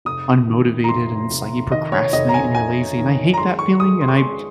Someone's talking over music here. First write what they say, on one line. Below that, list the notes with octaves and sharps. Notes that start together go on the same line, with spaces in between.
unmotivated, and it's like you procrastinate, and you're lazy and I hate that feeling, and I
F1 D#6
D#3
A#5
F1 C6
F1
D#3 D#5
C#5
F1 D#5
A#5
G#5
F1 G#5
D#3
A#5
G#3 C6
C#6
G#3 D#6
C6
C#6
C6
G#3